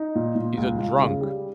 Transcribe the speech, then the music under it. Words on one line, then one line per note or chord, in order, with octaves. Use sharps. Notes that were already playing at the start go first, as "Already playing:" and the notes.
He's a drunk.
Already playing: D#4
A#2
A#2
C#2
C#2
C#3
G3